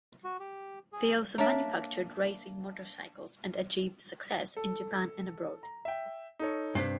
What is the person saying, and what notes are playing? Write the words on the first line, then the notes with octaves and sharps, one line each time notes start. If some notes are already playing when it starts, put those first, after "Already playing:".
They also manufactured racing motorcycles and achieved success in Japan and abroad.
F#4
G4
G#4
A#3 D4 C#5 E5 A#5
A4
A#5
E5 G5
D#4 A4 C#5
G2 C3 B6 C7